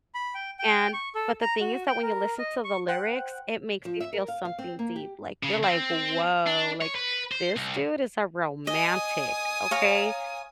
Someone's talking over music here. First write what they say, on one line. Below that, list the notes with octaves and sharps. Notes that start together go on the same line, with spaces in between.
and but the thing is that when you listen to the lyrics, it makes you feel something deep. Like, you're like, "Woah. Like, this dude is a romantic, okay?"
B5
G5
G5
C#6
A4
A#5
F#4
G5
A#4
D#5
C#6
C5 F#5 G5 F#6
F3
E5
A#4
F5
F5
C4
A#3
G4
C#3
C4
D4
C#5
B4
C5
C2
D#5 G#5 D#6
C#5 F5 A#5